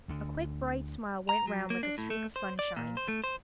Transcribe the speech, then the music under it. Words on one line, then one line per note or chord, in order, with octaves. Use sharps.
A quick, bright smile went round like a streak of sunshine.
D2 D3
A#5
F#3
A#3
D4
A2
A3
C5
D5
A#2
C5
A3
C5